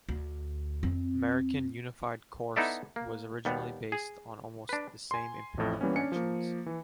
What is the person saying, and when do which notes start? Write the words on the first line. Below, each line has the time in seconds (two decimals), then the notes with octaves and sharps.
American Unified Coarse was originally based on almost the same Imperial fractions.
0.09 D2
0.83 F2 C4
2.56 B3 D#4 E4 A4 D5 E5
2.96 A#3
3.45 D#2 G3 B3
3.92 G#4
4.69 D4 B4
5.11 G#5 C6
5.58 A1 F2 A2
5.81 E3 G3 A#3 B3 C#4
5.96 C#4 D4 G#5 C#7
6.12 F3 A#3
6.66 E3